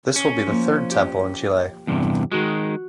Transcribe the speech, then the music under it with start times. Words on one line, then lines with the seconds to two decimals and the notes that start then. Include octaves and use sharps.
This will be the third temple in Chile.
0.16 C#4
0.47 F3 A#3
0.91 G4
1.87 E2 G2 C3
2.32 D#3 G#3 F#4